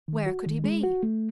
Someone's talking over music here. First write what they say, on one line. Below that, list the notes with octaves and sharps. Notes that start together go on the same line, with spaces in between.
Where could he be?
D#3
F#4
D#3
G#3
F#4
A3